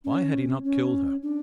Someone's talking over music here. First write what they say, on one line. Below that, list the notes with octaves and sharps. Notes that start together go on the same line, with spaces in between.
Why had he not killed her?
C#4
C#4
D4